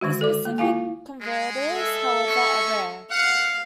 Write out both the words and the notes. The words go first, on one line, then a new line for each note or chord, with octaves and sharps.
These specific converters, however, are rare.
D3 D#3 G#3 F#4
A4 D5 D6
A#3
E4 F4 F5 G#5
G#3
A4 E5
G#3 C#4 C#6
F5 F#5